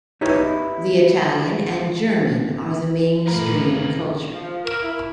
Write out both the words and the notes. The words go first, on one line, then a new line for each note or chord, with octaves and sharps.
The Italian and German are the mainstream culture.
D#4 E4 G4 B4 C#5 D#5
G1 A#2 A3 A#3 A#4 B4
F3
A#4
E4